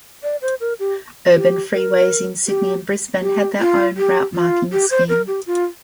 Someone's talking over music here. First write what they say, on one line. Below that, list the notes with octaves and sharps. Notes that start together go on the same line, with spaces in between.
Urban freeways in Sydney and Brisbane had their own route marking scheme.
D5
C5
A#4
G4
G4
A#4
G4
G4
F4
G4
F4
G4
C5
A#4
G4
F4